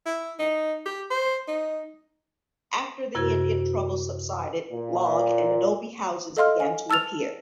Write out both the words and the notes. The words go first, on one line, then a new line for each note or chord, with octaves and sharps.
After the Indian troubles subsided, log and adobe houses began to appear.
E4
D#4
G4
C5
D#4
F#2 C3 E4 F#4 A#4 G#6
A#2
A4 D#5 F5 C6 F6
G#5
A5 E6 F6 A6 F7